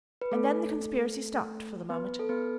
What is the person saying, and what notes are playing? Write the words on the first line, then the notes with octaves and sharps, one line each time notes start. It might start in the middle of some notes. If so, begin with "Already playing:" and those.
And then the conspiracy stopped for the moment.
B4
A3 A4
B3 B4
A4
B3 B4